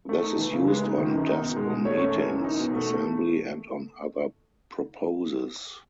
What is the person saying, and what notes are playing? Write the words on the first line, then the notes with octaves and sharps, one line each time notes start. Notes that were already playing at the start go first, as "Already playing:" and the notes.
This Is Used on Desk On Meetings, Assembly and on Other Proposes.
A3
D#4
E3
C#3
G#3 B4
D#4
D#3
F#2
D#4
B2
G#3
B2
A3 C#5
F#2
E3
F#2
D#4
B2
A3